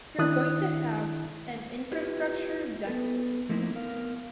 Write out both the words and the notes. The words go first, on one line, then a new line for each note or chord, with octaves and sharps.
We’re going to have an infrastructure decade.
D#3 D4 E4 D#6 F#6
E4 F4 G4 B4 C#5
B3 A4 B4
F3 A3 A#3 C4 D#4 E4
B3 A#4 F5